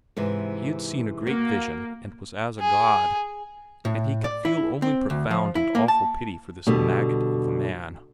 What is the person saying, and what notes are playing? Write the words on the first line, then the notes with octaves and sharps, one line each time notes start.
He had seen a great vision and was as a god, and he could feel only profound and awful pity for this maggot of a man.
G#2 C3 E3
A#3 F#4
G#4
A2
D5
E4
C4
D2
F3
E4
A#3
A5
B2 D3 G3